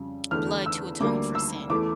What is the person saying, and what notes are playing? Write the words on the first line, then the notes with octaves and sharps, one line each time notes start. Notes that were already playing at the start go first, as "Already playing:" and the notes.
blood to atone for sin.
Already playing: F2 C#3 G3
E2 D3 A3 F6
E6
D2 D3 G3 A#3 D6
E6
E2 E3 A3 D6